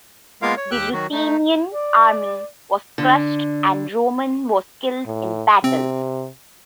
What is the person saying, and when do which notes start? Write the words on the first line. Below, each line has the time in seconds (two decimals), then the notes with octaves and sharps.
The Ruthenian army was crushed and Roman was killed in battle.
0.42 G#3 A#3 B3 F4 A#4 F5
0.57 C#5
0.71 D#2 G4 G5 E6 F#6
0.93 D#3 F#3 F#4
1.12 A3 D#4
1.72 D5
2.98 D3
5.07 A2
5.64 C3 C4